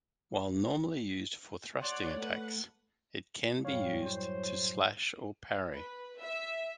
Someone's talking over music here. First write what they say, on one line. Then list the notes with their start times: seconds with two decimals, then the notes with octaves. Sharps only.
While normally used for thrusting attacks, it can be used to slash or parry.
1.81 C#5 D5 F#5 C6
2.17 A3 B4 F#5
3.65 F#2 A2 G3 C#5 F5
4.04 C5
5.73 B4
6.18 E5